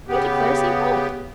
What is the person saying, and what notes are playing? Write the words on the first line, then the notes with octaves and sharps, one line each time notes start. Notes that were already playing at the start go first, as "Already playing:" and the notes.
He declares he won't.
C#3 B3 G4